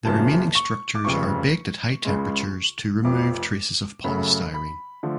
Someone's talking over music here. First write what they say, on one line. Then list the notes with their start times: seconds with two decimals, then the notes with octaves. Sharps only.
The remaining structures are baked at high temperatures to remove traces of polystyrene.
0.05 F#1 F#2 F3 A5
0.55 C#6
0.95 D6
1.05 F1 F2 C#3 F3 C#6
2.05 C#2 C#3 G#3
3.05 F1 F2 F3 D6
4.04 F#2 C#3 F#3 A3 B5
4.54 B5
5.03 D3 F3 A3